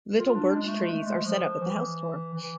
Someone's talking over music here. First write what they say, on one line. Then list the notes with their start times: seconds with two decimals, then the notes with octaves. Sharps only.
Little birch trees are set up at the house door.
0.18 F4
0.35 D4
0.54 G#3
0.67 A3
0.80 G#3
0.93 A3
1.06 G#3
1.26 F3
1.62 E3
2.34 E3